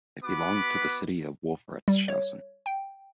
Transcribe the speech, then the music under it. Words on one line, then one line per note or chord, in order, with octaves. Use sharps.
It belonged to the city of Wolfratshausen.
B3 F#4 B4 B5 D6
G3
C#5
G5